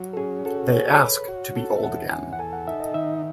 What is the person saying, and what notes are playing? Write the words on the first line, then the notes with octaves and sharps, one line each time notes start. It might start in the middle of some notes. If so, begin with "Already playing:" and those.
They ask to be old again.
Already playing: F#3
A4
C#4 G#4
F#4 A4
G#4 C#5
B4
F#4
A4
E5
E2 F#5
E2 G#5
F#5
A4 G#5
F#5
D#4 E5
D#5
D#3 E5